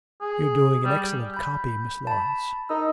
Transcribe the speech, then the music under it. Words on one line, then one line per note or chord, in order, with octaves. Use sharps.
'You're doing an excellent copy, Miss Laurence.'
G#4
G3
B5 G6
A5 B5
D#4 A#4 E6